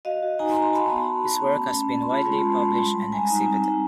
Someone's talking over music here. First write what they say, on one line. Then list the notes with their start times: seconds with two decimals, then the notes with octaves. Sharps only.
His work has been widely published and exhibited.
0.05 F#4 D#5 F5
0.22 F#4
0.39 D#4 G#5 A#5
0.51 A#5 C6
0.56 D#4
0.62 A#5 C6
0.73 F#4 A5 B5
0.91 B3
1.07 F#4
1.24 F#4
1.42 A3
1.59 C#4
1.75 C#4
1.93 C#4
2.02 C6
2.09 F4 A5 B5
2.27 G#3
2.44 G#3
2.62 G#3
2.79 G3
2.95 G3
3.12 G3 G#5 A#5
3.30 D#4
3.47 C4
3.64 D#4